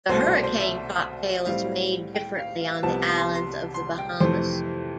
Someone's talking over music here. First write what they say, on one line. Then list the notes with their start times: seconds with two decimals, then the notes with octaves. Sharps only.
The hurricane cocktail is made differently on the islands of the Bahamas.
0.09 C2 B2 A3 C4 C5
0.26 D5
0.43 C5
0.60 E5
1.46 A2 G3 C4 F5
2.15 G5
2.38 F5
2.61 F5
2.83 C2 C3 F3 B3 A5
3.18 C6
3.36 C6
3.74 C6
3.98 G5
4.21 F2 C3 E3 A3 C5